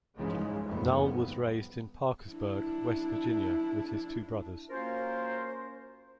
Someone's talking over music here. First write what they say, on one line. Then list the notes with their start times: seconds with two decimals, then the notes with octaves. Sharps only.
Null was raised in Parkersburg, West Virginia, with his two brothers.
0.17 C2 G#2 C#3 E3 F3 G#3
0.67 F#1 F2 G#2 G3 B3
2.30 D4 E4
4.69 A#3 C#4 F4 F#4 A#4 C5